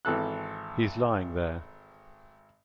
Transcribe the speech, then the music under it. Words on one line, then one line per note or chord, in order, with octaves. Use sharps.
He's lying there.
G#1 E3 A4 F#6